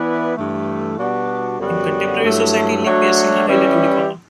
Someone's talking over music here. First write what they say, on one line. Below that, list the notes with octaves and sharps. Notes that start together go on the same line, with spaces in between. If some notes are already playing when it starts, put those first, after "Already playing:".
In contemporary society, lip piercings are relatively common.
Already playing: E3 B3 E4 B4 D5
G2 E3 A3
B2 G3 B3 D4 F#4
F#2 D3 G3 B3 F#4
G2 F#3 A3 E4
F#3 A3 D4 F#4 C#5
E3 G3 C#4 E4 G4